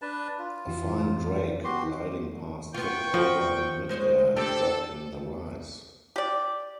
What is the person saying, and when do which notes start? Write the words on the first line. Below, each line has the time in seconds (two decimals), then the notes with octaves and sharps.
A fine drake gliding past tipped over in midair and dropped in the rice.
0.02 D4 B4 A5
0.39 F4
0.67 F2 E3 F3
1.64 B3 F#4 G4 C6
2.74 B3 F4 G5 C#6
3.14 F3 F#4
3.89 G#3 C5 C#5
4.36 C4 D4 G4 A4
6.16 G4 D5